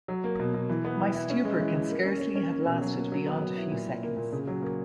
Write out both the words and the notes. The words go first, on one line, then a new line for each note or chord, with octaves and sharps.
My stupor can scarcely have lasted beyond a few seconds.
F#3
A#3
B2
B2
E3
B3
E3
E4
C#4
G#3
E3
E3
A#3
C#4
C#4
C#4
A#3
B2
F#3
A#3
F#3
B3
F#3
E4
A#2
A#2
A#3
A#2
C#3
F#3
A#3